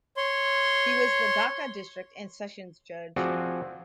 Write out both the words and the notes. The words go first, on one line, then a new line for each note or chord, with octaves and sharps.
He was the Dhaka District and Sessions Judge.
C#5 C6
F3 C4 F#4 G#4 D5